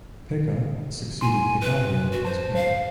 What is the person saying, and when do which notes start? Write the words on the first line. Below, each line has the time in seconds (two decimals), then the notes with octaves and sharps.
Pekah succeeded Pekahiah as king.
1.21 G#5 C6
1.61 B4
2.12 F#4
2.25 C5 A5
2.55 C5 F5